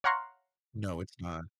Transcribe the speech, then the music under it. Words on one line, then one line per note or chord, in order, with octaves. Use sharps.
No, it's not.
C#5 F5 F#5 A#5 C6 C#6